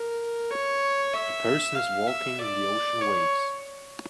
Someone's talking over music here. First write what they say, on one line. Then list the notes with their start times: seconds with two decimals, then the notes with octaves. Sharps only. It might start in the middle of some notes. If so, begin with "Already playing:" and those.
A person is walking in the ocean waves.
Already playing: A#4
0.50 C#5
1.13 E5
1.75 F5
2.07 E5
2.38 D5
3.01 C#5